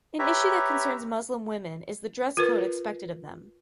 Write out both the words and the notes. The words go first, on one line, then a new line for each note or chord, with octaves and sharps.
An issue that concerns Muslim women is the dress code expected of them.
G4 B4 C#5 E5 A#5
F4 A#4 B4